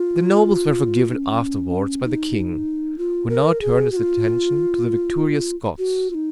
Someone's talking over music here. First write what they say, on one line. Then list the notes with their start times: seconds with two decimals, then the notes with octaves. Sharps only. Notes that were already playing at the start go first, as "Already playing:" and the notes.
The nobles were forgiven afterwards by the king, who now turned his attention to the victorious Scots.
Already playing: F4
1.11 D#4
1.15 C#4
2.04 D#4
2.98 F4
3.29 A#4
3.61 G#4
3.92 F#4
3.97 F4
5.78 F#4
6.10 F4
6.15 D#4